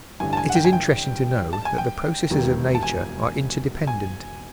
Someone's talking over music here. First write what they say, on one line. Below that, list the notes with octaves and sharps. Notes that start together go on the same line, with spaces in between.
It is interesting to know that the processes of nature are interdependent.
A1 G2 D3 G#5
A5
G#5
F#5
G5
G#5
G5
A5
G#5
G5
E1 D#2 D#3 G3 A#3
A5
G#5
G#5